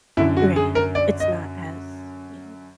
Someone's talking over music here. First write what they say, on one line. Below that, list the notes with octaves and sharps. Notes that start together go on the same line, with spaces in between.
Right. It's not as, you know,
F#2 D3 E4
F#4
G#4
A#4
D5
D#5